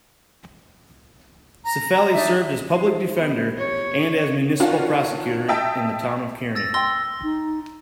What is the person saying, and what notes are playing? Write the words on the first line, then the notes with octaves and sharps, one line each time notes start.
Cifelli served as public defender and as municipal prosecutor in the Town of Kearny.
A#5
D4 D#4 E5
D#4 C5
B3 G4
C#5
D#3 C#4 D4 F4 F#4
D#5 E5 G5 A5
E6 A6 A#6
G5 C6 E6 A#6 G7
D#4